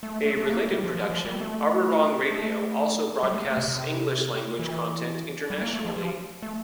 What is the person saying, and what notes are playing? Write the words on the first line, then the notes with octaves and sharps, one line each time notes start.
A related production, Arirang Radio, also broadcasts English-language content internationally.
A3
A3
A3
A#3
A3
G3
F3
F3
F3
G3
A3
A3
G3
A3
A3
C3
C3
E3
G3
A#3
A3
F3
F3
A3